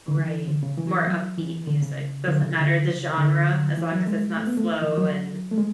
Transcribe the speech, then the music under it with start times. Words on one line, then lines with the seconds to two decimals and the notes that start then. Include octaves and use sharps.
Right. More upbeat music, doesn't matter the genre as long as it's not slow and
0.08 D3
0.17 E3
0.48 D3
0.63 C#3
0.77 E3
1.07 F#3
1.38 E3
1.68 D3
1.83 C#3
2.28 D3
2.42 C#3
2.58 D3
2.87 C#3
3.18 D3
3.77 E3
3.92 F#3
4.07 G#3
4.37 A3
4.47 B3
4.57 A3
4.82 E3
4.97 F#3
5.51 A3
5.58 G#3